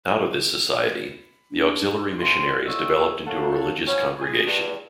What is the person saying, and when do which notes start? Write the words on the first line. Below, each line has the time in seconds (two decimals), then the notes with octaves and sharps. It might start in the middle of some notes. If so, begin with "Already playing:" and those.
Out of this society, the auxiliary missionaries developed into a religious congregation.
1.52 D4
2.18 C2 C6
2.66 D3 C4 F4 C#5 D#5 E6
3.27 A4 A#4 C#5 F5 F#5 A5
3.86 B2 F3 B3 C#4
4.21 G#4
4.45 E2 G2